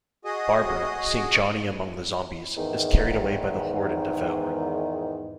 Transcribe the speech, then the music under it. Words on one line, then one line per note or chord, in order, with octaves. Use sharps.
Barbra, seeing Johnny among the zombies, is carried away by the horde and devoured.
F#4 G#4 D#5
E2 G#2 D#3